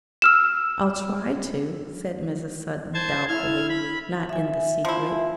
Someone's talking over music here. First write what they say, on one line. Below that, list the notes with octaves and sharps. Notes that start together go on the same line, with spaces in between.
'I'll try to,' said Mrs. Sutton doubtfully--not in the secret.
E6 F6 E7
C5 A5 G#6
E4 F6 G#6
B5
E5 G#5
F3 E4